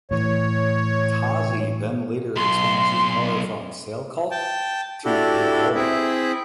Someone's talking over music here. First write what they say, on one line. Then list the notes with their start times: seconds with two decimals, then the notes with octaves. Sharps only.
Tazi then later expands his power from Sialkot to Jhelum.
0.11 A2 E3 C#5
2.36 B1 C6
4.31 G5 A5
5.05 D4 E4 F#4 G4 A4
5.75 C4 E4 G#4 E5